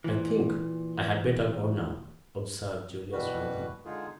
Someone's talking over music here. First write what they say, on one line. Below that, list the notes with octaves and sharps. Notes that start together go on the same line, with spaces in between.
"I think I had better go now," observed Julius, rising.
A#2 E3
B2 E3 G3 F#4 B4
D3 G#3 D#4 F4 G#4